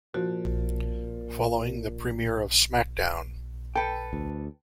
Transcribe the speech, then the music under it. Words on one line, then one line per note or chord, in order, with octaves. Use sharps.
Following the premiere of SmackDown!
A#2 F3 F#4
A4 B4 G5
D2